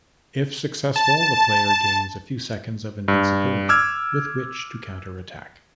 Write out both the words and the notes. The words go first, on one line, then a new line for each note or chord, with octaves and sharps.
If successful, the player gains a few seconds of invincibility with which to counter-attack.
A5
G2
D6 E6 F6 G#6